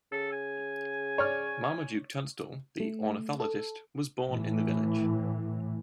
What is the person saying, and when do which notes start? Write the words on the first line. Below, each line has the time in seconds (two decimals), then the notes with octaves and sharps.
Marmaduke Tunstall the ornithologist was born in the village.
0.12 C#3 A4
0.32 G#5
1.18 C#5 D5 F6
2.80 A3
3.40 A4
4.28 A2 E3